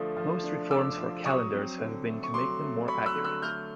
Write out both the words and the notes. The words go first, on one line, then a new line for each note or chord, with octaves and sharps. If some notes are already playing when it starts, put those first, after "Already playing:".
Most reforms for calendars have been to make them more accurate.
Already playing: D3 F3 A3 D4 D#6
F3
D4
D4 D6 E6
F3
F#3 C#6 D#6
C4
D3
A3
C#6
F#3 C6 D6
A3
F#3 B5 C#6
E6 F#6
D3
E6 F#6
A3 F6 G6